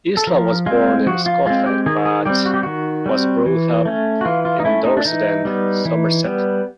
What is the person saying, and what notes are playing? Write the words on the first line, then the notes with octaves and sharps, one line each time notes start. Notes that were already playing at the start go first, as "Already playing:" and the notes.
Isla was born in Scotland but was brought up in Dorset and Somerset.
A4
F3 A#4
G#3 C4 F4
F3 F#4
F4
G#3 C4 F4
G4
D#3 G#4
G#4
G3 C4 G4
F#4
G4
D#3 F#4
G3 C4
E3
A3 C#4
F#4
E3 F4
F4
D#4
A3 C#4 E4
D#4
D4
E3 D#4
G3 B3
E3
G3 B3